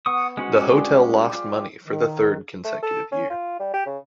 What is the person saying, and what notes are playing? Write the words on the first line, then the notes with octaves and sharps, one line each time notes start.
The hotel lost money for the third consecutive year.
B3 F#5 C#6 D#6
G#3 C#4 F#4 C5
G3 G#4 D6
F4 G4
D#3
A3
A4
C#4
F4
G3
G4
C#3